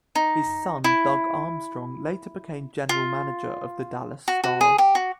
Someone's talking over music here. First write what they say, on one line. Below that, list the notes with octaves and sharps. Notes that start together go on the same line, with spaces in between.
His son, Doug Armstrong, later became General Manager of the Dallas Stars.
D#4
E4
F4
F#4
F#4
G#4
G4
F#4